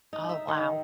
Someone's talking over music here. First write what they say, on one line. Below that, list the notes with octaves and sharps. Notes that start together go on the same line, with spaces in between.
Oh, wow.
D#4
E5
D#3